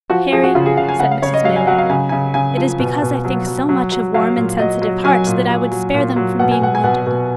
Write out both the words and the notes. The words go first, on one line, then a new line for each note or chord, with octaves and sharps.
'Harry,' said Mrs. Maylie, 'it is because I think so much of warm and sensitive hearts, that I would spare them from being wounded.
F3 F#4
F3 G#4
F#4
C#3 F4
G#4
C#3 F5
G#5
C#3 F#5
F5
C#3 C#5
D#5
F#3 F5
G#5
F#3 F#5
F5
C#3 G#5
C#3 G#5
C#3 G#5
F3
B2
B2
F#3
F#3
F#3
F#3
F#3 F5
A#2
F#3 D#5
F#3
F#3 G#5
A#2
F#3
F#3
A#2
F#3
B2 F#5
G#5
B2 F#5
G#5
B2 F#5
B2